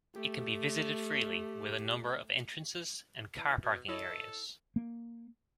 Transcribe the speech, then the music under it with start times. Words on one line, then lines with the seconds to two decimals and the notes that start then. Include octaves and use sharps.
It can be visited freely, with a number of entrances and car parking areas.
0.16 A3 G4
3.37 E3
3.63 B2
3.89 E4 A4 C#5 D#5
4.76 A#3